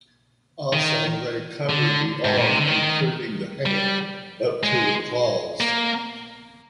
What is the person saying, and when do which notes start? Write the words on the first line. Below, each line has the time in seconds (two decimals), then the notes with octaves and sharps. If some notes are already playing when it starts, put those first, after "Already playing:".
Also they covered the arm including the hand up to the claws.
0.73 D#3
1.69 D3
2.25 G#2
2.36 A#2
2.47 C3
2.57 D3
2.67 D#3
3.66 G3
4.63 G#3
5.60 A#3